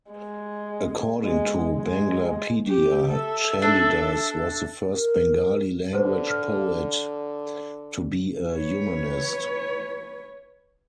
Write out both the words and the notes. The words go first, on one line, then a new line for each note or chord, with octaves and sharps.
According to Banglapedia, Chandidas was the first Bengali-language poet to be a humanist.
G#3
G#3
G#3
G4
A4 E5
D4
A#4
D3 B4 C5
F6
B4 C#5